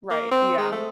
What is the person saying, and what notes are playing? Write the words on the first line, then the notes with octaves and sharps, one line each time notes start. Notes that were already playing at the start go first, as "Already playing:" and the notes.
Right, yeah.
A#3
C4
G#3
A3